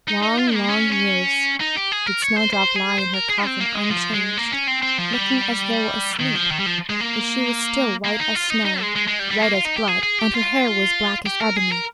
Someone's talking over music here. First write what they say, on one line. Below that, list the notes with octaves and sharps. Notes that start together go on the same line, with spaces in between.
Long, long years, did Snowdrop lie in her coffin unchanged, looking as though asleep, for she was still white as snow, red as blood, and her hair was black as ebony.
D#4
D#4
F4
A#3
C#4
C#4
D#4
G4
G#4
A#4
C#5
C5
C5
G#4
C5
A#4
G#4
C4
A#3
G#3
F3
G#3
A#3
C#4
C4
C4
F3
G3
D#3
F3
D#3
G3
F3
G#3
A#3
A#3
D#4
F4
D#4
D#4
G#3
G#3
G#3
G3
G3
A#3
F4
D#4
G4
G#4
G#4
G4
F4
G4
A#4
G#4
A#4